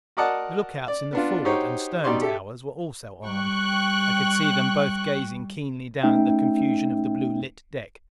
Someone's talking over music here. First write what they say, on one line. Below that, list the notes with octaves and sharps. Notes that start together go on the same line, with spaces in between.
The lookouts in the forward and stern towers were also armed; I could see them both gazing keenly down at the confusion of the blue lit deck.
F#4 A#4 D5 D#5 F#5 A5
D5
B3 D4 F4
D#4 F#4 G4 C5 C#5
B2 D#4 G4 D5 C6 C#6
G4 A4 E5
G3 G5 C#6 F#6
A3 C#4 D#4 E5 G5